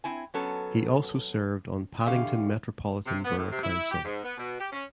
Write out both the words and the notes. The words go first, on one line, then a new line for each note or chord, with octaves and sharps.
He also served on Paddington Metropolitan Borough Council.
C4 E4 G#5
F#3 B3 C#4 A4
E2 D3 C#4 G4 F5
C3
B3
A2
C3
E4
G4
G#2
B3
B2
G4
C#4